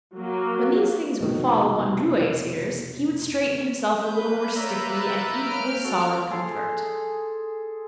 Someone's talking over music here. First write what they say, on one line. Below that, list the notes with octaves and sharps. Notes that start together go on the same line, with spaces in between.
When these things would fall upon Drouet's ears, he would straighten himself a little more stiffly and eat with solid comfort.
F#3 A#3
F1 B2 D#3
A#3 B4 G6
A#4 C#5 D5 E5 A#5 B5
F#6 A6
C#4 F6 D7
F#4 A4
G#4 A4 C6